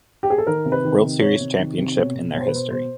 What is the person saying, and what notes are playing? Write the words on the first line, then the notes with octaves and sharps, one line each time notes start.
World Series championship in their history.
G4
G#4
A4
D#3 A#4
C3
B4
D#3
C3
D#3 C#5
C3
D#3
C3
B2 C#5
B2
B2 C#5
C5
B4
B2 C5
B2 C5